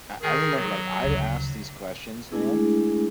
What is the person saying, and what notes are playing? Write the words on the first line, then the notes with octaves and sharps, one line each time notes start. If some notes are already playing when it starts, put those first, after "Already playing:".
I I remember, like, I'd ask these questions, man,
D#3 G#4
F#3
D2 C#3
G#3 A3 D4 E4 G#4